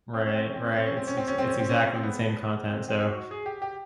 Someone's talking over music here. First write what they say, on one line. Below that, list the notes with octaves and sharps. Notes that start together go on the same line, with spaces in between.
Right, right. It's ex it's exactly the same content. So,
C4
C#4
C4
C#4
C4
C#4
C4
C#4
C4
C#4
C4
C#4
C4
C#4
C4
C#4
C4
C4
B3
C4
C4
F#4
G#4
G4
G4